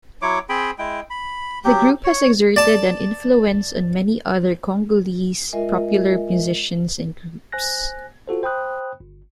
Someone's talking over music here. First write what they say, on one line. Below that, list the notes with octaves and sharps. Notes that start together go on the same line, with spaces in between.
The group has exerted an influence on many other Congolese popular musicians and groups.
F#3 E4 C#5 D6
C4 G#4 G5 B5
G#3 E4 G5
B5
F#3 G4
C#5
D5 A5
G#3 F4 A#4 D#5 E5 G#5
C5 G#5 F#6 A#6
F4 F#4 A4 C5
C5 G5 B5 D#6 F#6
G1